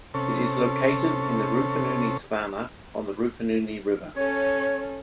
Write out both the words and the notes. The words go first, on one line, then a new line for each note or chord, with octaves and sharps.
It is located in the Rupununi savannah on the Rupununi River.
C3 C#4 A4
C#4 A4 C#5